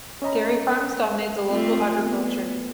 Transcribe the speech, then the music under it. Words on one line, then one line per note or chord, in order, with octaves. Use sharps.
Dairy farms dominate the local agriculture.
C#4 C#5 D#5 A#5 B5
A3 C4 F4
B3